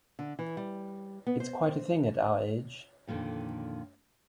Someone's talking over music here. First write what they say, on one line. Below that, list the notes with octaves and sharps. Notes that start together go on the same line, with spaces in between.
It's quite a thing at our age.
D3
E3
G3
B3
C5
F2 A#2 D3 D#3